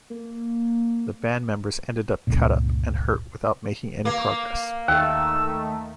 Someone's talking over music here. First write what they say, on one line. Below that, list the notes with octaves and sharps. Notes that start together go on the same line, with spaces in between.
The band members ended up cut up and hurt without making any progress.
A#3
G1 C#2 A#2
A#3
D#2 D#3 A3 E6